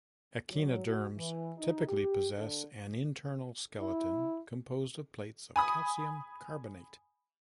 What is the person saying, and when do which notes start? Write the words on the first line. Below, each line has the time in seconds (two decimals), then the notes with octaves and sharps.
Echinoderms typically possess an internal skeleton composed of plates of calcium carbonate.
0.51 F#3
0.85 F#4
1.16 E3
1.58 D#4
1.88 G4
2.35 D3
3.80 E4
5.56 G#5 B5 D#6